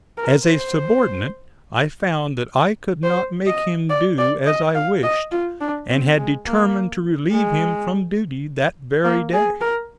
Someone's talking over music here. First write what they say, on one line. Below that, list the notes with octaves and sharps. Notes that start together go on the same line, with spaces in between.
As a subordinate I found that I could not make him do as I wished, and had determined to relieve him from duty that very day.
A#4
C5
C5
D#5
D5
D5
D#5
F5
D#5
F4
D4
C4
G#3
A#3
G#3
A#3
G#4
A#4